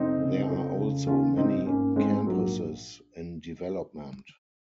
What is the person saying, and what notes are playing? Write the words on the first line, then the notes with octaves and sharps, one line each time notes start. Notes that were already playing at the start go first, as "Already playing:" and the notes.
There are also many campuses in development.
Already playing: F1 C4 D#4
C#3
F2
C#3
D#3 C#4 F4
G#1 C4 D#4
G#2 A#3 C#4
G#2 G#3 C4
A#1 F#3 A#3